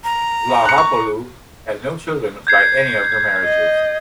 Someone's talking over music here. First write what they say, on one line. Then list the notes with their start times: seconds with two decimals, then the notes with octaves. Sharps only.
Vlahopoulou had no children by any of her marriages.
0.04 A#5
0.65 F#6 C#7
0.78 C#6
2.47 G6 G#6 C7
3.44 D#5